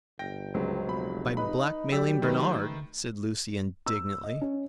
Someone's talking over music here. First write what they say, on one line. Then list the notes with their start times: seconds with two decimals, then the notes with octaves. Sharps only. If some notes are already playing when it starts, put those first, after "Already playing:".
"By blackmailing Bernard," said Lucy, indignantly.
0.19 G1 G5 A#6
0.54 C#2 F#3 G#3 C5
0.87 F1 B2 B5
1.37 D#4 B4 B5
1.92 F#3 G4 D5 E6 B6
2.22 D#3 A3 B4
3.86 E6
4.23 D#5
4.41 C#4